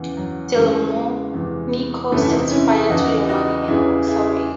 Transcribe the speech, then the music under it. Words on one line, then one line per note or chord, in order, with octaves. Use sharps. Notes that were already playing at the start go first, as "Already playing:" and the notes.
Delmonico sets fire to the money and walks away.
Already playing: E2 C#3 E3
F#3
E2 C#3 E3 G#3
E2 C3 E3
E2 C3 E3 A3 C#4
E4
C4 D#4
C#4 E4
E4 G#4
E2 C#3 E3 D#4 F#4
D#4 F#4
E2 C#3 E3 E4 G#4
E4 G#4